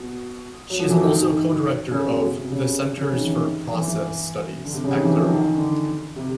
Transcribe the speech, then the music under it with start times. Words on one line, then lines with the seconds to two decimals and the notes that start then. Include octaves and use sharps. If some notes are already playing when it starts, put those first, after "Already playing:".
She is also co-director of the "Center for Process Studies" at Claremont.
Already playing: B2
0.70 F#3
0.80 F3
0.90 E3
1.01 D#3
1.15 D#3
1.91 C#3
2.07 B2
2.22 B2
2.37 C3
2.52 C#3
2.82 C3
2.97 C#3
3.12 D#3
3.24 E3
3.37 D#3
3.74 E3
3.88 E3
4.64 D3
4.74 C3
4.84 C#3
4.95 D#3
5.04 E3
5.15 F3
5.25 D#3
5.55 D3
6.16 C3